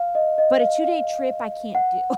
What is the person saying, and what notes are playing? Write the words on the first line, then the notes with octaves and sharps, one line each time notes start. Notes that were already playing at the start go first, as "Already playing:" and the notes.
but a two-day trip, I can't do.
Already playing: F5
D#5
D#5
F5
F5
F#5